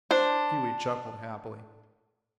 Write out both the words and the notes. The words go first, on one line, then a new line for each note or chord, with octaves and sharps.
Pewee chuckled happily.
D4 C5